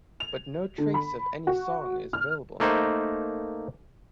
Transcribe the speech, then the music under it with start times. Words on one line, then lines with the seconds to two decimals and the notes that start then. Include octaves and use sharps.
But no trace of any song is available now.
0.20 F7
0.78 D3
0.94 B5
1.47 F#4
2.13 F6
2.60 A3 A#3 D#4 C5